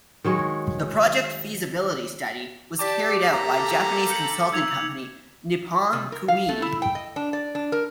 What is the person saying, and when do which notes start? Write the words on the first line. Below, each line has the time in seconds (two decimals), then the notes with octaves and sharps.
The project feasibility study was carried out by Japanese consulting company Nippon Koei.
0.24 D#3 F#3 G#3 C#5
2.79 G4 D5 G5 A5 D6 B6
3.33 A#3 C4 A4 A#5
4.10 G6 C#7 F#7
4.52 D#4 E6 G#6 F7
5.93 C3
6.12 A#4
6.28 F5
6.49 A3
6.62 E4
6.82 G5
6.95 D#5
7.16 D4
7.33 D5
7.55 D4
7.72 A#4